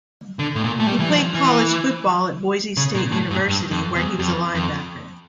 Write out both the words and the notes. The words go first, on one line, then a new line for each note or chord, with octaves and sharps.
He played college football at Boise State University, where he was a linebacker.
D3
A2
A#2
A3
G3
E3
F3
E3
C#3
A#2
A2
G2
G2
F2
E2
F2
F2